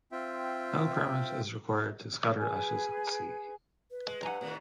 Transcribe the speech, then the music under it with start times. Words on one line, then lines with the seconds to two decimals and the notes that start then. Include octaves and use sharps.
No permit is required to scatter ashes at sea.
0.12 C4 F4 E5 G5
2.39 G#4 B4 G#5
3.91 B4
4.07 G#3
4.23 G2 F#5 G#5 A#5
4.41 A2 C3 D#3